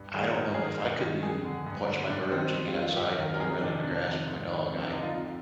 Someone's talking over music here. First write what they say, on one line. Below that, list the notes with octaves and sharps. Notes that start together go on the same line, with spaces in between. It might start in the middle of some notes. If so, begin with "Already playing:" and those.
I don't know, if I couldn't watch my birds and get outside and roll around in the grass with my dog, I
Already playing: G2
D#3 G#4
G#2
A#4
D#3 G#4
A#4
G2
D#3
F2 G#4
D3
G2
D3
G2 D4
D#3 C4
F2
F4
D#3
F4
G2 G4
D#3 A#4
A#4
F2 G#4
C3 D#3 D4
F2 D4
C3 D#3
G#2
D#3
F2
D4
D3 D#4
F4
F2